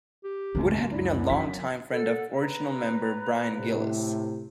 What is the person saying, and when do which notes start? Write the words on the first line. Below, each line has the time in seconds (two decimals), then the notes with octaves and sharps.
Wood had been a long-time friend of original member Brian Gillis.
0.24 G4
0.55 G#1 C#2 F#2 G3
0.91 F#2 D4 E4
1.30 E3 B3 B6
1.91 A4 F#5
2.39 B4 A#5
3.57 A2 C3